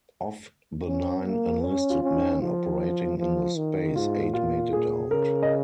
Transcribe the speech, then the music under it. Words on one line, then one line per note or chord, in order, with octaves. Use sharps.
Of the nine enlisted men operating in the space, eight made it out.
C#4
A#3
C#4 C#5
F4
C#4
D#4
F3 F4
F3
D#3
G#2 F4
A#2 F4
A#2 G#4
C#3 A#4
D#5